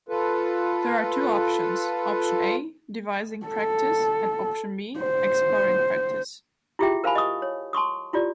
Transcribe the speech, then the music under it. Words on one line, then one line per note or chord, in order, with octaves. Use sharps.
There are two options: Option A: Devising Practice and Option B: Exploring Practice.
F4 A4 B4
A4
C5
E4 F4 G4 G#4 E5 G5
A#4 C5 F5 G#5 A5 B5
D#5 C#6 D#6
C#5
A5 C6 C#6 D#6
E4 F4 G4 D5